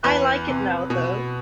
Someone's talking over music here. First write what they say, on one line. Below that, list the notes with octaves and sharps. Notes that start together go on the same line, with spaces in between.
I like it now though.
E2 B4
C3
B2